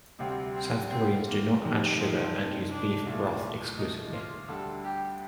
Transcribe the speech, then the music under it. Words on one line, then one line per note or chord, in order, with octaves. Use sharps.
South Koreans do not add sugar and use beef broth exclusively.
D2 C3 G3 C4
C4
C4
A#3
F1 F2 C3 D#3
F3
D4
C2 A#2 A3
D#4
F4
D2 D3 G3 A4
G4